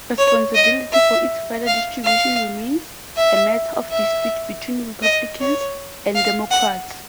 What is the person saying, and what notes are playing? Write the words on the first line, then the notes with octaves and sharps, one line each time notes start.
Responsibility for its further distribution remains a matter of dispute between Republicans and Democrats.
C#5
D#5
E5
F5
F5
E5
E5
D#5
C#5
F5
F#5